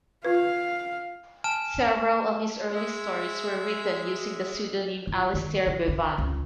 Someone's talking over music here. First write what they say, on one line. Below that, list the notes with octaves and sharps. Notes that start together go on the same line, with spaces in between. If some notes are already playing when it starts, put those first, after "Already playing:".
Several of his early stories were written using the pseudonym Alistair Bevan.
F4 B4 F5
G#5 A5 F6 E7
G#3 E5
F4
D#3
C#3
E4
C#2